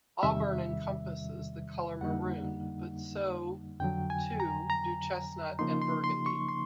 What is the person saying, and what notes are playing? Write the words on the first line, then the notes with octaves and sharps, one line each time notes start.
Auburn encompasses the color maroon, but so too do chestnut and burgundy.
E2 C3 D#3 G3 E5
F2 D3 G3 A#3 D#4 F#5
F2 D3 F#3 G5
G#5
A#5
A#5
C#3 F3 A#3 D#4 C6
C6
C6
C#6
C6